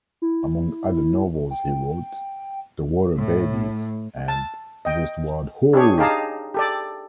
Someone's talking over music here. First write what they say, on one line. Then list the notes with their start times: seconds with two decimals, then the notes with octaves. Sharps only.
Among other novels he wrote "The Water Babies" and "Westward Ho!".
0.22 E4
1.51 G5
3.15 A2
4.28 A5
4.85 D#5 G5
5.73 D4 G4 G#4 C#5
5.98 D#4 G4 G#4 F5 A5 A#5
6.54 G4 A4 D5